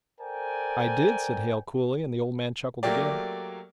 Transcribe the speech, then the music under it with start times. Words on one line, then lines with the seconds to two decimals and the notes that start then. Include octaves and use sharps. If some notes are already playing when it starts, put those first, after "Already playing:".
"I did," said Hale coolly, and the old man chuckled again.
0.20 A4 A#4 C5 D5 G5 G#5
2.83 F#3 A3 A#3 G4 D5